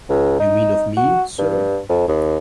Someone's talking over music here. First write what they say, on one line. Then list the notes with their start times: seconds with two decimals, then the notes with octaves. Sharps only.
You mean of me, sir?
0.10 C#2
0.40 D#4
0.97 F#4
1.39 G2
1.89 F2
2.08 D#2